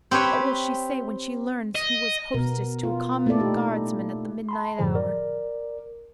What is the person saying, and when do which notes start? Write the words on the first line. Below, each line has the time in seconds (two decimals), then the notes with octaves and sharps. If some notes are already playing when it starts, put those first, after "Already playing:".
What will she say when she learns who was hostess to a common guardsman at the midnight hour?
0.11 C4 G4 B4 C#5 G5
1.75 D#5
2.34 B2 B3 A#4
2.83 F4
3.26 A3 A#3 E4 A4 D5
3.40 D#4 G4
4.49 A5 B5 C6
4.79 F#2 A2 D3 F3 G#4 C5
4.95 A#4 D5